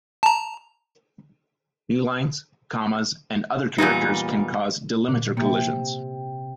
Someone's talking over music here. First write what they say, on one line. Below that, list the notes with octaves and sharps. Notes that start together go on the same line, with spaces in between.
Newlines, commas, and other characters can cause delimiter collisions.
A5 A#5
E2 A#2 G3 D#4
A#2 D3
C3 A#3